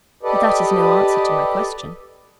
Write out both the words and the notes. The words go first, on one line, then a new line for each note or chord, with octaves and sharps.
But that is no answer to my question.
G4 A4 B4 D5 D#5